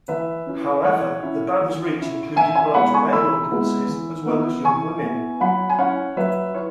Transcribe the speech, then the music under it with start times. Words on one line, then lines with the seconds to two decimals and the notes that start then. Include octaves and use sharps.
However, the band's reach included large male audiences as well as young women.
0.08 E3 B4 E5
0.47 C#4 E4
0.84 E3 C#5 F#5
1.23 C#4 E4
1.61 E3
1.98 C#4 E4
2.36 E3 E5 G#5
2.55 E5 G#5
2.74 G#3 B3 E4 F#5 B5
2.94 G#5 C#6
3.13 E3 B5 E6
3.51 G#3 B3 E4
3.89 E3
4.26 B3 E4
4.65 E3 G#5 C#6
5.02 B3 E4
5.40 F#3 F#5 B5
5.70 G#5
5.79 C#4 E4 C#5 F#5
6.16 F#3 B4 E5
6.55 E4 C#5